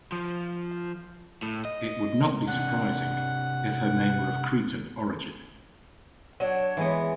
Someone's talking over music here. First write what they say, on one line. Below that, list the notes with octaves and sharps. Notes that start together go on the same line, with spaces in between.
It would not be surprising if her name were of Cretan origin.
F3
A2
D#5
C3 D4 F#5
F#3 D4 C#5
E3 G#3 B3